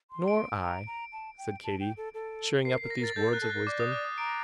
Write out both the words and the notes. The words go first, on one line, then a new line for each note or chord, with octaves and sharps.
"Nor I," said Katy, cheering up at these words of wisdom.
C6
D7
A5
A#5
A#5
A5
G5
A5
G5
A4
A4
A#4 C7
A#4 C7
A#6
A#4 A6
A4 G6
A#4
F#6
A4
A#4 F#6
D5 D6
D#6
F#6
D#6
A#5 D7